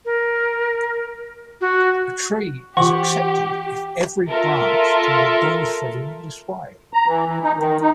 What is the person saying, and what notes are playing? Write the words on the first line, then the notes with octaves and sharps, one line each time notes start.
A tree is accepted if every branch can be gone through this way.
A#4
F#4
E3 F4 G4 F#5 C#6 D6
F4 A4 A#4 E5
A#5
E3
E3
D#4
D#3
D#4